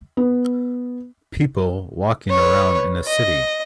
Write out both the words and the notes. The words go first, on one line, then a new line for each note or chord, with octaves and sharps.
People walking around in a city.
B3
B4 C#5
D#5